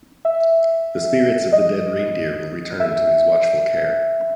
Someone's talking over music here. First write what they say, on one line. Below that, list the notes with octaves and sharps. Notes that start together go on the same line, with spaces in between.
The spirits of the dead reindeer will return to his watchful care.
E5
D#5
E5